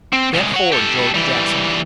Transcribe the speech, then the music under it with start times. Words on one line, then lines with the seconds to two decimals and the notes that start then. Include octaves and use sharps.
Step forward, George Jackson.
0.13 C4
0.34 C2 G#3
0.54 C#5 F#5
0.72 G4 A4
1.14 E3 G3